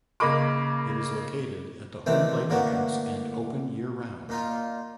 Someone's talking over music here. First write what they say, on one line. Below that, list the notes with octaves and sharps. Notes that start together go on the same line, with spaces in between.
It is located at the home-plate entrance and open year-round.
C#3 A#3 D#5 B5 D6
D#3 E3 A3 C4 D4
A2 D3 A#3 B3 F#4
A#2 D#4 F4